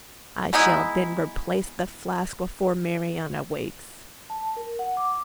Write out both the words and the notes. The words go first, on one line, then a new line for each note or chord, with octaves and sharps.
I shall then replace the flask before Marianna wakes.
G#3 B3 D#4 E4
A5
A#4
F#5
D6